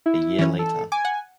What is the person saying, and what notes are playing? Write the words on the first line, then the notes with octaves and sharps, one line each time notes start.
A year later.
E4
E3 C#4
A4
G#5 D6
F#5